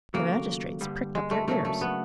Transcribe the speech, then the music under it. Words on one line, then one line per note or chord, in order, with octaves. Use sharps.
The magistrates pricked up their ears.
D#2 C#3 F#3 A3 A#3
G2 D3 G3
G#3
A3
C#3 F#3 A3 A#3 D4
A3
B3